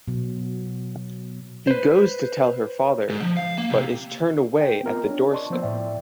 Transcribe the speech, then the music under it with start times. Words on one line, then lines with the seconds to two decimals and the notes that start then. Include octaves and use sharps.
He goes to tell her father but is turned away at the doorstep.
0.08 B2 F#3
1.67 B4 C5
3.10 G#2
3.22 F3
3.37 F5
3.58 A#3
3.70 C3
4.61 G5
4.83 B3 C4 F4 A#4 D#5
5.06 D4 C#5
5.31 D5 D#5 A5 C6 C#6
5.50 F3 A#3 B3 C5 E6
5.62 A2 D5 E5 G5